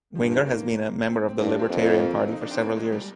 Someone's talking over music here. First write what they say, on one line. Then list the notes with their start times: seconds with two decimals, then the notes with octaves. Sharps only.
Winger has been a member of the Libertarian Party for several years.
0.15 G2 F3
0.31 D#3
0.46 A#3
1.08 C4
1.29 C4
1.38 G2 A#3
1.48 D4
1.59 C4
1.69 F2 A#3
1.85 A#3
2.00 A#3
2.16 C4
2.31 D#4
2.41 D4
2.51 C4
2.62 A#3
2.77 G#3
2.92 G3